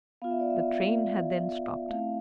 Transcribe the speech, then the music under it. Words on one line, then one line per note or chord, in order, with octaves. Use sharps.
The train had then stopped.
B3 F4 F5
E5
D5
E5
A3 C4 E4 F5